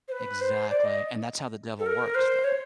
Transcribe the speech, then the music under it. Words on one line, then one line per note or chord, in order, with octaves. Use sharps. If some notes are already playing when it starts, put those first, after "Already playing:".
Exactly, and that's how the devil works though.
C5
B4
C5
D5
D#5
A4
A#4
C5
C#5